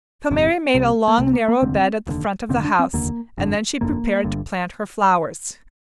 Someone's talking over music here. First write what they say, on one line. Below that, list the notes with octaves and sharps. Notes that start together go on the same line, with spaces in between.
So Mary made a long, narrow bed at the front of the house, and then she prepared to plant her flowers.
G1 F2 C3
C2 C3
A#3
C2 C3 A3
C4
A#3
A#3
F1 D#2 D3 C4
F1 D#2 D3
F1 D#2 D3 C4
D4
C4
F1 D#2 D3 A#3
G1 F2 D3
G1 F2 D3 A#3
G1 G2 D3